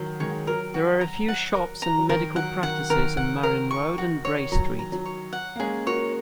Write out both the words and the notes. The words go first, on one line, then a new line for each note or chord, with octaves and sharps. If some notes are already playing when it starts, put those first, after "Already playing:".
There are a few shops and medical practices on Marion Road and Bray Street.
Already playing: D#3 F#3
D#3 G#3 C#5
F#3 A#4
F#4
A#5
F#5
A#4
A#5
F#3
D#3 A#4
F#3 F#5
D#3 F#5
D#3 A#4
F#5
A#4
C#6
F#4
C#5
F#3 A#5
A#5
F#3
C#5
F#5
A#3
G#3 C#4 G#4
F#4 A#4 C#5